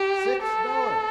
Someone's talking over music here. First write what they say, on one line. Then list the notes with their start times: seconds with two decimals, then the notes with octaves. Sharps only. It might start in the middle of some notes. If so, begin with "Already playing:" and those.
"Six dollars."
Already playing: G4
0.42 A4